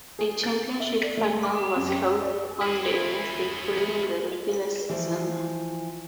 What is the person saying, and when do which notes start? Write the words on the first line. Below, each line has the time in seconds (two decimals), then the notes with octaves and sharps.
A Championship Final was held on the Wednesday following the regular season.
0.19 G#4
0.44 A6
0.80 E5
1.03 D5
1.17 A3
1.43 D6
1.76 F#2
1.89 G4
2.05 E6
2.22 D5
2.61 E4 G#4
4.89 E3 F3